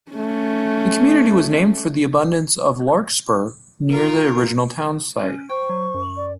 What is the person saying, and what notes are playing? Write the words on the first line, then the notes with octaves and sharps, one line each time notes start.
The community was named for the abundance of larkspur near the original town site.
A3 C#4
F4 A#4
C#4
C5 G5 C#6
F#3
F#2
D5